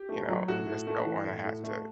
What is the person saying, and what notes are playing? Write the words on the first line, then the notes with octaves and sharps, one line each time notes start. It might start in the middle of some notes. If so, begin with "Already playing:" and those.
you know, you just don't wanna have to
Already playing: G4
A3
F#3
A2 F#4
A2
A3
E3
A2
A2
A3